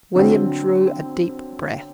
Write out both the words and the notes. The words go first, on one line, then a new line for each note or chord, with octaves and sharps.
William drew a deep breath.
D3 F#3 C4